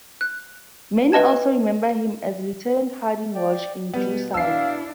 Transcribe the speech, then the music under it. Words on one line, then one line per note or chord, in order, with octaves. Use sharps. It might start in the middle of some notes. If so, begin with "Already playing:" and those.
Many also remember him as Lieutenant Harding Welsh in "Due South".
F#6
B4 D#5 A5 G#6
D5 G5
B2 G3 B3
D4 E4 F5 E6 C7